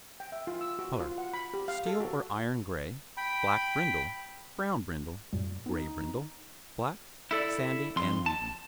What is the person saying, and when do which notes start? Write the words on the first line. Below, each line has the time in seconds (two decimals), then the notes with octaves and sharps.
COLOUR--Steel or iron grey, black brindle, brown brindle, grey brindle, black, sandy and wheaten.
0.20 G5
0.32 E5
0.47 F4
0.61 E6
0.79 F#4
1.00 F4
1.18 F#5
1.33 B5
1.54 G4
1.68 F5
1.86 A4
2.00 F#4
3.17 G5 B5
5.33 F#2 A#2 G3
5.66 B3 D#4
7.31 E4 A4 D5
7.96 F2 C6
8.26 A5